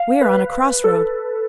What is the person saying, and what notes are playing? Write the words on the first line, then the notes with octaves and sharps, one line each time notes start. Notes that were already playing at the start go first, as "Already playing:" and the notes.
We are on a cross-road.
Already playing: F5
B4
A4